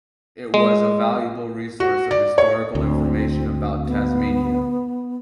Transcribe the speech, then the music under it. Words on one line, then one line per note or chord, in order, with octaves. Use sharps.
It was a valuable resource of historical information about Tasmania.
G#3
F#4
D5
C#5
D2 C4
B3